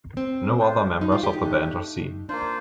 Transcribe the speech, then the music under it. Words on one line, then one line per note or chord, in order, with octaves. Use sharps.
No other members of the band are seen.
C4
D4 F4 C5
D#4
F4
G4
D#4
A3 D4 G4
A#3 D4 F4 C5